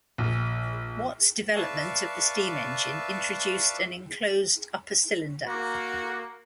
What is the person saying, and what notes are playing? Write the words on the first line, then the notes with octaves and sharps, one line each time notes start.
Watt's development of the steam engine introduced an enclosed upper cylinder.
A#1
B4 D5 E5 F5 A5 C#6
A#3 F#4